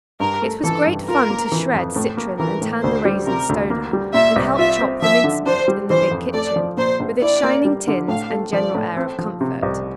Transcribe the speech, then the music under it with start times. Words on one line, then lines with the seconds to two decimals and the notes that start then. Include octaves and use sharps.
It was great fun to shred citron and turn the raisin-stoner, and help chop the mince-meat, in the big kitchen, with its shining tins, and general air of comfort.
0.20 G2 A#4
0.42 A3
0.64 E3 A4
0.86 G2
1.07 F4 A#4
1.30 A#3
1.52 E3
1.74 F2
1.96 A2
2.17 A#3
2.39 E3 A#4
2.61 A2
2.83 D2 C5
3.05 G3
3.27 C3 A#4
3.49 D2
3.70 A#3
3.93 G3
4.14 A#2 E5
4.36 C2
4.58 F4 E5
4.80 C4
5.02 F3 E5
5.24 D3
5.46 D4 C5
5.68 G3
5.90 E3 C5
6.11 F2
6.33 A3 D5
6.56 F3
6.77 A#2 C5
7.00 A#1
7.21 E4 D5
7.43 A#3
7.65 G3
7.88 D3
8.08 A2 F5
8.30 A3
8.53 F3 D5
8.75 A2
8.96 C4
9.18 F3
9.41 C3
9.63 C2